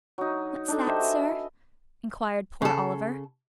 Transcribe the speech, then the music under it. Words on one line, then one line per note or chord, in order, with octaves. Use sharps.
'What's that, sir?' inquired poor Oliver.
F#3 D#4
D4 D#4 A4
G4 C5 D#5 E5
F#4 B4 G#5
C#3 A4